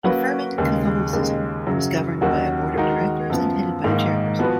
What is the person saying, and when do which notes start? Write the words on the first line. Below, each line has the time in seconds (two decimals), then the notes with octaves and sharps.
Affirming Catholicism is governed by a board of directors and headed by a chairperson.
0.04 F#3 A#3 C#4 F#4 B4
0.58 D#2 C#3 G#3
1.13 D#2 C#3 G#3
1.67 F#2 C#3 F#3
2.21 D#2 D#3 F#3 C#4 F#4
2.75 D#3 G#3 D#4 F#4 A#4
3.30 F#2 F3 B3
3.84 G#2 D#3 A#3 D#4
4.39 F3 B3 F#4 B4